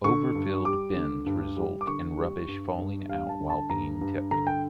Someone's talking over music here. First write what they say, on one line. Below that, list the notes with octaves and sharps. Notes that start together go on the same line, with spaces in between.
Overfilled bins result in rubbish falling out while being tipped.
D3 C#6
G2
G3 D6
D3
G2
G3
D6
D3 C#6
G3
G2
G2
G3 F5
A5
D3
A5
G2 A#5
G2
D3 A#5
G5